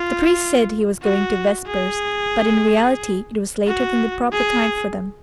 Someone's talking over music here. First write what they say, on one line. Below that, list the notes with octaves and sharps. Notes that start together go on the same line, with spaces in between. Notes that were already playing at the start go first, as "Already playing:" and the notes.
The priest said he was going to vespers, but in reality it was later than the proper time for them.
Already playing: F4
F#4
G#4
F#4
G#4